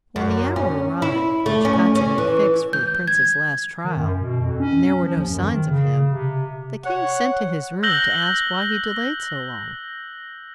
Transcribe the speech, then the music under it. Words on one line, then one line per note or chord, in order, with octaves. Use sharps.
When the hour arrived which Kostiei had fixed for the prince's last trial, and there were no signs of him, the king sent to his room to ask why he delayed so long.
F#2
C#4
E4
A3
C#4
C#4
E3
G6
G#6
D#3
F#2
B2
F2
C#4
F3
D#2
F#2
D#3
C#3
C3
C#5 F#5
E6 F#6 G6 A#6 F#7 G7